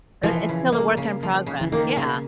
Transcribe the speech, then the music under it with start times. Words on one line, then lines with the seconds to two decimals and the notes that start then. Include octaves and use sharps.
But it's still a work in progress, yeah,
0.23 E3 F3
0.49 C#3
0.72 A#3
0.97 C#3
1.23 F3
1.47 C#3
1.61 E3
1.72 D#3 A#3
1.97 C#3